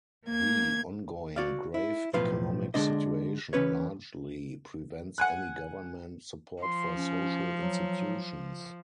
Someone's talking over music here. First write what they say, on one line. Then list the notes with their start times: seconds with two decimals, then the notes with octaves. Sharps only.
The ongoing grave economic situation largely prevents any government support for social institutions.
0.25 A#3 G#6
1.36 F#4 D5 F5
1.74 E4
2.13 B1 A2 F3 B4 F5
2.74 D3 G#3 D4 D#5
3.53 E3 C#4 B4 C#5
5.18 F#5 G#5 F#6
6.63 F3 C6
6.96 C#4
7.60 F#3